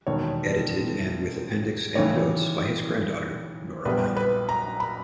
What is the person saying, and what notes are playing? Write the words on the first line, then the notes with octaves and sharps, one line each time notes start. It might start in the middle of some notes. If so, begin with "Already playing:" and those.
Edited and with appendix and notes by his granddaughter Nora Barlow.
E1 D#2 D#3 C#5
D#2 C#3 E3 C#5
A#1 A#2 G3 B3 B4
B4
A#5
B5